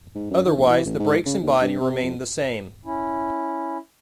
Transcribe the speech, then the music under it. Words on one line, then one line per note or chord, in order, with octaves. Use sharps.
Otherwise, the brakes and body remained the same.
G#2
F#2
D#3
A#1
E3
A1
G#2
C#3
D#2
G2
C3
F2
C#4 E4